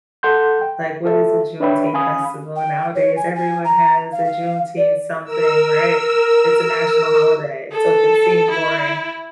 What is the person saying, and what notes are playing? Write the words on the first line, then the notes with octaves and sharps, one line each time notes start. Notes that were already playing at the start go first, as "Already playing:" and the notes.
Like, what is a Juneteenth festival, nowadays? Everyone has a Juneteenth something, right? It's a national holiday, so it can seem boring,
A4 F#5 C6 G6
G5
F4 A4 E5
D4 B4 C#5 E5 G5 B5
C#4 F5 G#5 B5 D#6
G5
C#5
G#5
G#5
A#5
F5
F5
D5
A#4 E6
A4
E4